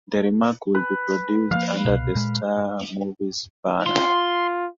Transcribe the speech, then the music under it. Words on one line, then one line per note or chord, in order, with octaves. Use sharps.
The remake would be produced under the Staar Movies banner.
B4
F3 F#3 A#3 F5
C2 B2
A#2 G#3
F4 C6